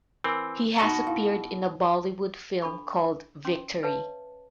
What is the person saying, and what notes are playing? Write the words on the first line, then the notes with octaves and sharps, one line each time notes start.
He has appeared in a Bollywood film called Victory.
E3 C4 A#4
B2 D#4 F#4 D#5 A#5 C#6
E4 F5
D4 A4 B5 C#6
C#4 C6
B4 C#5 E5 F5 A5